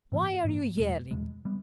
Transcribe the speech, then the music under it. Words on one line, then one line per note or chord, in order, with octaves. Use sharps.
Why are you yelling?
G#2 E3 A#3
G#2 E3 A#3
E2 B2 G#3
E2 B2 G#3
G3 B3